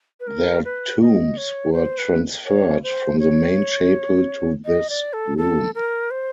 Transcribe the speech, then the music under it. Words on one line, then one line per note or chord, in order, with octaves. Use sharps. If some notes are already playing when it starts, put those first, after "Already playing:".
Their tombs were transferred from the main chapel to this room.
B4
A#4
B4
D#5
C#5
C5
B4
C#5
C5
C#5
D#5
D5
A4
A4
A#4
C5